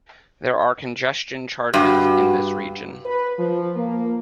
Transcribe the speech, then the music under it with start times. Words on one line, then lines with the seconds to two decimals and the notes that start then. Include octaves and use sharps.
There are congestion charges in this region.
1.74 G2 F#4
3.05 B4
3.38 F3
3.76 A#3